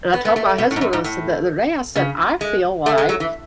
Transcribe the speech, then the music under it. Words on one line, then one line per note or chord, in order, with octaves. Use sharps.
And I told my husband, I said the other day, I said, "I feel like"
B3
B3
A3
B2
A2
G#2
F#2
G#2
A2
C#3
G#3
A3
G#3
F#3
E3